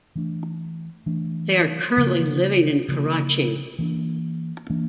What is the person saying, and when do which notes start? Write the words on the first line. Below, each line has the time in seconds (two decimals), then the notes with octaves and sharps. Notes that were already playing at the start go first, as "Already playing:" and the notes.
They are currently living in Karachi.
0.15 E3 A3 D4
1.06 E3 A3 D4
1.97 C#3 F3 A#3
2.88 C#3 F3 A#3
3.79 E3 A#3 D4
4.70 E3 A#3 D4